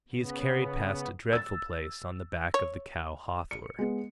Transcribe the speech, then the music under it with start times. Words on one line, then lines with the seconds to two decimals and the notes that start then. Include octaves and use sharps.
He is carried past a dreadful place on the back of the cow Hathor.
0.12 C#3 B3
1.33 E6 A6
2.54 C#5
3.51 C#7
3.78 G#3 B3